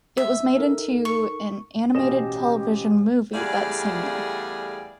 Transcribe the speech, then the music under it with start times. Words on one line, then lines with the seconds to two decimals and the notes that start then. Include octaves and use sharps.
It was made into an animated television movie that same year.
0.17 E5
0.57 D#4 A4 A#4
1.05 C#6
1.95 A1 B2 C#4 G4 C5 D#5 E7
3.34 E2 G3 A3 G#4 D5 F5